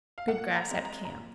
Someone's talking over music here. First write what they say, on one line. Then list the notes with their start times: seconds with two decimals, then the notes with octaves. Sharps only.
Good grass at camp.
0.18 F5
0.28 A#2 F#5
0.56 A#5
0.70 G#3 C4
0.85 A#5
1.05 A#5
1.13 A#2